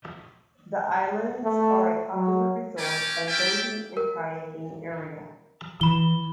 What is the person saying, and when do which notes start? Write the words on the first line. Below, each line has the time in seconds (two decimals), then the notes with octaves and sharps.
The islands are a popular resort and boating and kayaking area.
1.44 A3
2.12 F#3
2.78 A3 C#4 G5 G#5 D6
3.28 C#4 E4 D5 E5 G5
3.97 A#4
5.81 E3 B5 G7